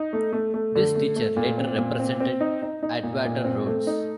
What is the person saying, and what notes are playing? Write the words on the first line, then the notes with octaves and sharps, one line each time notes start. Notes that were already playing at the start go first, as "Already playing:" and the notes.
This teacher later represented Atwater-Rhodes.
Already playing: D#4
A3
A3
A3
D3
A3
A3
A#2
C4
A#2
C4
C4
D#4
D#4
D#4
A#2
A#2
C4
A3
D#4